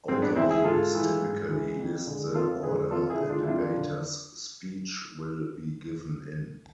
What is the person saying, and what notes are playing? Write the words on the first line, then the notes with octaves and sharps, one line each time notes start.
Overviews typically list the order a debater's speech will be given in.
G#2 C4
B3 D4
E3 G#3 C4 E4
E4 G#4
G#2 F4 A4
E3 G#3
G#2
E3 G#3
F2
D3 G#3
F2 F4 A4
D3 G#3 G#4 B4
F2 F4 A4
E4 G#4
D3 G#3
D4 F4
E4
F2 D4 F4
D3